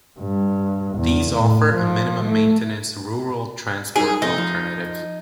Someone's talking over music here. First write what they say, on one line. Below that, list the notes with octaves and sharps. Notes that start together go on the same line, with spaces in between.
These offer a minimum-maintenance rural transport alternative.
G2
E2
A2
F3
A3
G2 D#4 G#4 G#5
C3 F3 A3 D#4
F3